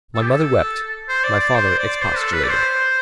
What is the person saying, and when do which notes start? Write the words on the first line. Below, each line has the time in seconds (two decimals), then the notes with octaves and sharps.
My mother wept, my father expostulated.
0.15 A4
0.22 G4
0.29 A4
1.09 C5
1.24 D5
1.40 D5
1.55 C5
1.78 D5
2.02 C5
2.18 A4
2.33 B4
2.43 D5
2.49 C5